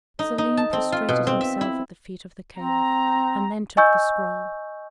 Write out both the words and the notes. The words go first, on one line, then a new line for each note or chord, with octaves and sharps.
Selim prostrated himself at the feet of the Caliph, and then took the scroll.
D#4
D#4
A5
C4
F4
B2
C4
E5
E4
C4 A#5
D#5 G#5 C#6 E6 G6